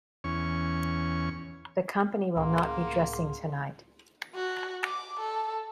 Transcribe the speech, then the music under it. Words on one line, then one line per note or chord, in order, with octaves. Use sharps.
The company will not be dressing tonight.
E2 C#4 C#6
C#2 A2 A#3 G#4 F#5 C6
F#4
D6
A4